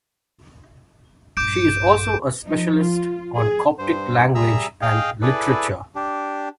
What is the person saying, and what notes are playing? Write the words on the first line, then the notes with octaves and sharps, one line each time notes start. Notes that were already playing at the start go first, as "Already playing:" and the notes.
She is also a specialist on Coptic language and literature.
A#1 G2 D6 G6 D7
F3 D#4
F4
G#4
G2 C5
G3 G#4 E5 A#5 E6
G#4 D#5 F5 G5
E4 G#4 A4 B4 D5
D4 G4